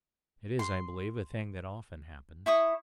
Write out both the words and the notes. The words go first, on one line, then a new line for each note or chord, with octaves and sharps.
It is, I believe, a thing that often happens.
C6
E4 C#6 D#6